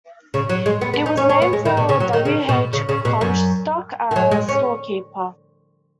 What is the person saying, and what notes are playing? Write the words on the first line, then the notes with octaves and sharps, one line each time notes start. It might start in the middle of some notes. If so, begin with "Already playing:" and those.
It was named for W. H. Comstock, a storekeeper.
C#3
F#3
G#3
B3
B3
D#4
C#4
C#4
B3
G#3
D#3
B2
C#3
F#3
D#3
C#3
B2
C#3
C#3
B2
F#2
D#3
F#3
G#3
C#4